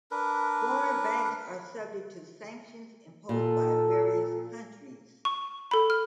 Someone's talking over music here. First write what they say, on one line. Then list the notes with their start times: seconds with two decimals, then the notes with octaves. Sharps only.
Foreign banks are subject to sanctions imposed by various countries.
0.11 D4 A#4 B4
3.29 A#2 A4
5.25 C#6
5.71 A4 B5
5.90 F6